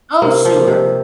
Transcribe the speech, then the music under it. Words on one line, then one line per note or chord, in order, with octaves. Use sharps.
Oh, sure.
C3 A#3
F3
C3